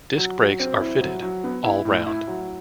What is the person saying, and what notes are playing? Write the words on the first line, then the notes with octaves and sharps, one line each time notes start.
Disc brakes are fitted all round.
F#3
F#3
C4
E4
F#3
F#3
B3
E4
A2
E4
F#3